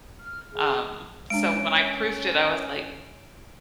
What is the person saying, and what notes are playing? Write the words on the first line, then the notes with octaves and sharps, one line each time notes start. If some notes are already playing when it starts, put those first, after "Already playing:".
um, so when I proofed it, I was like,
F6
G#4
G#3 C#4 D4 D7